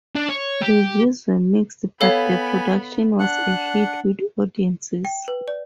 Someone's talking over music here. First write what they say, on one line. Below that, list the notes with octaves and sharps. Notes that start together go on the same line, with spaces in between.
Reviews were mixed, but the production was a hit with audiences.
D4
C#5
G4
B3 A4 C#5 F5 G#5 B5
D4 F#5 F#6
G5
B4
D5